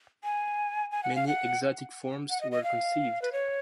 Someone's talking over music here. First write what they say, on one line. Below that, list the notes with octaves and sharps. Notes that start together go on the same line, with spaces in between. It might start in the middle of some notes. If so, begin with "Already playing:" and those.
Many exotic forms were conceived.
G#5
G#5
F#5
F5
F#5
F#5
D#5
D#5
F5
B4
C#5